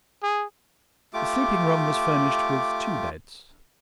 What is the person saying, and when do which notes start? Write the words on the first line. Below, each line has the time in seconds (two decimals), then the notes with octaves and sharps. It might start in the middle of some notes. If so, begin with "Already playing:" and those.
The sleeping-room was furnished with two beds.
0.23 G#4
1.14 A3 F4 G4 D6